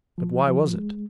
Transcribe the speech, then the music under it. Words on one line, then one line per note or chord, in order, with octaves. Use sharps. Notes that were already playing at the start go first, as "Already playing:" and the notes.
But why was it?
F3
F3
G#3